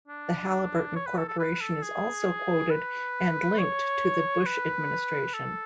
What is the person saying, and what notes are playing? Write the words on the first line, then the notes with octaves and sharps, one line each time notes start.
The Halliburton corporation is also quoted and linked to the Bush administration.
D4
C#5
B4
A4
A4
B4
A4
G#4
B4
C#5
B4
A4